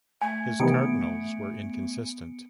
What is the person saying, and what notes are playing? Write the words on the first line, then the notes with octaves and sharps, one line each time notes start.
His Cardinals were inconsistent.
A3 G#5
C3 D#3 E3 B3 C#7 D7